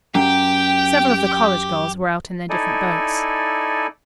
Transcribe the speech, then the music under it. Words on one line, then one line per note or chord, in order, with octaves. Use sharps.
Several of the college girls were out in their different boats.
F#2 G4 G5
D#4 E4 A4 D5 G#5